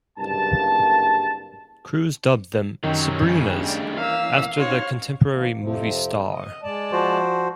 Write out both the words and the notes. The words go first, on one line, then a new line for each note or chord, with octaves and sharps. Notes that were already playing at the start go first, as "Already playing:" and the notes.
Crews dubbed them "Sabrinas" after the contemporary movie star.
F#1 C2 G2 A#3 A5
F#2 C3 D#3 F#3 C#4
G2 C#3
A3 D5
E3 A#3 C#4 E5 F5 E6
C#4 D#4 F#4 C5 C#5
D#3 F3 A#3
F2 C3 F3
D#5
G#3 D5 A5
F3 F#4 C5